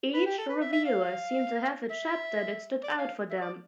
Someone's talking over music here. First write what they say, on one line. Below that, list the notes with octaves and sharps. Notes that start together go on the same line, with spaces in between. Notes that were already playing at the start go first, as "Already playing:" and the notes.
Each reviewer seemed to have a chapter that stood out for them.
B4
G4
A4
B4
E5
E5
F5
E5
D5
F5
E5
D5